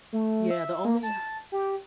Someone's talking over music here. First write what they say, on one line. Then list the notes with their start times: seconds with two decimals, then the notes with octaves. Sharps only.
Yeah the only
0.13 A3
0.51 E5
0.85 A#3
1.03 A5
1.52 G4